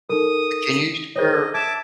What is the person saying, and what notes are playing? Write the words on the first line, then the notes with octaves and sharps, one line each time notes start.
can you share
D#4 A4 A#4 D#6
G#4 C5 C#5 D#5
E5 A5 D6 G#6